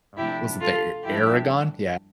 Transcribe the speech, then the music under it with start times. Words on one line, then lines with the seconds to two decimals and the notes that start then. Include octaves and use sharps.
Oh, was it the E Eragon? Yeah.
0.17 C3 F3 A3 D4 E4 G4
0.60 F4 A4
1.04 G2 F3 A#3 D4 E4 G4